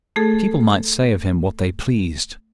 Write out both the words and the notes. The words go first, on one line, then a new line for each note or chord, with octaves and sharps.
People might say of him what they pleased.
A3 G#4 A4